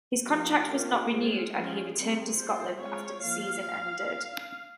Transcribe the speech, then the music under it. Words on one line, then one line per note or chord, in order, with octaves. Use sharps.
His contract was not renewed and he returned to Scotland after the season ended.
F3 A#3 F4 G4
D#3 A#3 C#4 F4 G4
G#3 C4 F4 G#4
F3 G#3 C#4 F4
D#3 G3 C4 D#4
G3 A#3 F4 C5
G#3 C4 F4 C#5
F3 A#3 F4 F5